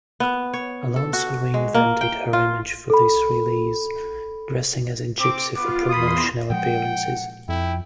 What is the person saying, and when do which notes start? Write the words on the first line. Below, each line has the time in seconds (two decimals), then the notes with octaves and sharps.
Alonso reinvented her image for this release, dressing as a gypsy for promotional appearances.
0.20 B3
0.53 C#5
0.96 A4
1.13 F#4
1.54 G#3
1.75 A#3
2.01 G5
2.33 F4
2.90 A4 B5
5.19 C4 D6
5.56 B3 F4 D6
5.90 E2 A#3 B5 C6 D#6
6.50 A#2 F3 G#3 F#5 G5
7.48 F2 E4 G5